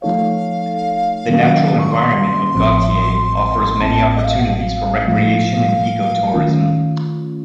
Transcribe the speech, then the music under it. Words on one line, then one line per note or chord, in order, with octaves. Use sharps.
The natural environment of Gautier offers many opportunities for recreation and eco-tourism.
F3 A3 D#4 A4 C#5 F5
C3 D#3 F#3 A#3 C#4
C#6
C6
A1 A2 F3 C4
A1 A2 A3 C4 A5
D#5
F5
F#5
F5
A2 F3 A3 F5
D#3 A3 C#4 F4